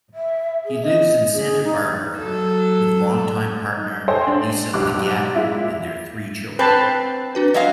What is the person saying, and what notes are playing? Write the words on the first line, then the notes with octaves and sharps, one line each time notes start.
He lives in Santa Barbara with longtime partner Lissa Liggett and their three children.
E5
G#4
D#5
G#4
D#4
F#3 A4
D#4
A4 C5 C#5 D#5 G5 G#5
D4
B1 G3 D6 F#6
A#2 G#3 E4 F4 E5
C4 B4 A5
D4 F#4 B4
F#3 G#3 D#5 F5 F#5 A#6